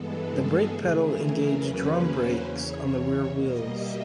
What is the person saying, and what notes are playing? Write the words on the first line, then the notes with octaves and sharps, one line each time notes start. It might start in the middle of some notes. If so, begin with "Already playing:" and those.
The brake pedal engaged drum brakes on the rear wheels.
Already playing: G2 E3 G#3 B3 A4
G#4
C#3 E3 A3
A#4
E2 C#3 F#3 A#3 C#4 B4
C5
E2 C#3 E3 C#5
B2 G3 A#3 D#5
E5